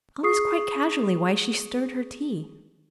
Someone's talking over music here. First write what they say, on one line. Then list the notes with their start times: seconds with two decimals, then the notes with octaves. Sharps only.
All this quite casually while she stirred her tea.
0.23 G#4 C#6 D#6 C7